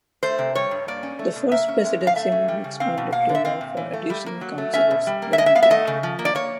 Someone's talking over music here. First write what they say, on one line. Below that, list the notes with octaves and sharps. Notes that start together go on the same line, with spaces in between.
The First Presidency may be expanded to allow for additional counselors, when needed.
A3 C5
C3
G3 C#5
G2
A#3 D5
C#4
A3
B2
A#3 E5
C#4
G#3
F#2
F5
A3 E5
C#4
G3
C#3
C4 F5
B2
A#3 F5
D3
E5
C4 F5
A#2
E3
A3
G3
A#3
F#3
A3
C#4 E5
B2
G3
A#3
E5
G#3 D#5
E5
B3 F5
E5
A3 D#5
C#3
F3
A#3
D5
A#3 C#5